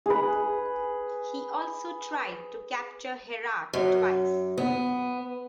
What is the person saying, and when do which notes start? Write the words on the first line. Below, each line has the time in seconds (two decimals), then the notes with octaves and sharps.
He also tried to capture Herat twice.
0.06 G#4 B4
3.73 F#2
4.58 B3